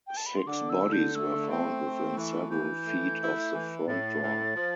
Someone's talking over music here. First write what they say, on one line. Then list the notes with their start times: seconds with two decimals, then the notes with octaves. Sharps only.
Six bodies were found within several feet of the front door.
0.07 G5
0.17 A5
0.26 B5
0.36 C6
0.47 D3 D6
0.70 E6
0.81 D3
0.93 G6
1.15 A3 E6
1.50 C4
1.84 A3
2.17 E3
2.51 E3 G6
2.86 A3
3.20 E4
3.53 E3
3.87 A2 A6
4.22 A2
4.56 F3